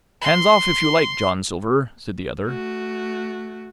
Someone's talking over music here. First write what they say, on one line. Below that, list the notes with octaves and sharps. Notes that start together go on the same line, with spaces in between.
"Hands off, if you like, John Silver," said the other.
C6
A3 F#4